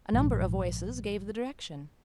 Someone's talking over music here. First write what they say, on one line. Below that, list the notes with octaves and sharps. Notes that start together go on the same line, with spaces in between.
A number of voices gave the direction.
A#1 G#2